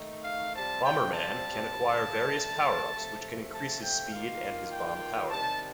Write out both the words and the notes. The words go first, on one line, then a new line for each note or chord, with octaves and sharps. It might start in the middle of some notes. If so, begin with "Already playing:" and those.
Bomberman can acquire various power-ups which can increase his speed and his bomb power.
Already playing: D#3 A3 D#4
F5
C3 G3 C4 F4 A5
G5
A5
G2 D3 A3
C3 F3 A3
A5
G5
D#3 A#3 F4 F5
G5
C3 D#3 G3 A5